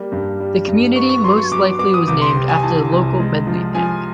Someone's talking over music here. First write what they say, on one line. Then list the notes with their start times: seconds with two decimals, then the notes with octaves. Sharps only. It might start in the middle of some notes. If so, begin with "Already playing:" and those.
The community most likely was named after the local Medley family.
Already playing: G3 A#3
0.12 G2
0.40 G3
0.68 G2
0.95 B3 C#6
1.09 C#6
1.24 F#3 C6
1.37 C#6
1.51 F#3 D6
1.65 D6
1.79 B3 D6
1.94 D#6
2.07 C2 D6
2.21 C6
2.35 C3
2.49 G#5
2.63 E3 A5
2.92 C2
3.19 G#3
3.47 F3
3.75 F3 G#5